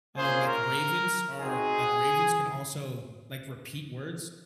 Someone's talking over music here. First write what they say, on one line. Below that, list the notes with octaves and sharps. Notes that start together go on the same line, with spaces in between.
um, like, ravens are like, ravens can also, like, repeat words?
A#3 C#4 F4 G#4 C5
A#4
C4 D#4 F#4 G#4